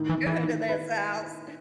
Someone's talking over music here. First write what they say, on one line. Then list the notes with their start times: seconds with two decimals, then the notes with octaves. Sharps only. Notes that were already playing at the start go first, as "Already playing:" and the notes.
good in this house."
Already playing: A2 D#3
0.09 E3
0.18 D#3
0.26 E3
0.43 D#3
0.69 B4